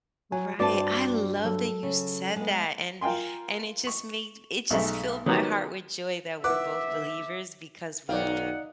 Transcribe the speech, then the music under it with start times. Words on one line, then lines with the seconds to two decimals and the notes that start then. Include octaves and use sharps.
Right, I love that you said that and, and it just made it just filled my heart with joy that we're both believers because we're
0.32 F#3 G#5
0.59 G2 C4 F#4 D5 A5
1.45 F#3 A4
1.83 C#3
2.36 G#3 B3
3.01 F4 A#4 G5 G#5 C6
3.87 C#6
4.70 B1 G#2 A3 E5 C#6
5.26 D#3 F#3 B3 G4 C#6
6.44 E4 B4 E5 F#5 D6
8.09 B1 D#3 D5 F5 F#5